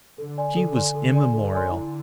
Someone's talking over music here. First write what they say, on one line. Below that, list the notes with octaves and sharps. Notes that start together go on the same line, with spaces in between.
She was immemorial....
D3 A4
D5 G#5 C6
D3 A4
D5 G#5 C6
D3 A4
D5 G#5 C6
D3 A4
D5 G#5 C6
D3 E4